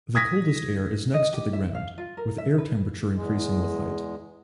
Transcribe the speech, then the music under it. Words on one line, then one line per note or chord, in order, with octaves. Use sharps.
The coldest air is next to the ground, with air temperature increasing with height.
D#6 G#6 A#6 B6
D#5
G4
E5
F5
F4
A#4
E5
B4
E2 G#3